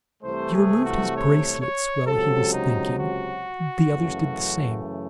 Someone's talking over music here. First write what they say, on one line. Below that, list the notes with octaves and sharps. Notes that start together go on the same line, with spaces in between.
He removed his bracelets while he was thinking; the others did the same.
C2 C3 E3 A3 C5
G#4
F#4
C#5
C#5
C#2 C3 F#3 A4
D#4
F#4
F#2 C#3 E3 A3